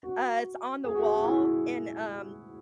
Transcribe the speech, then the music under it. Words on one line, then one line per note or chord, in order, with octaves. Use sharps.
uh, it's on the wall and, um
F#4
G#4
F#4
G#4
F#4
E4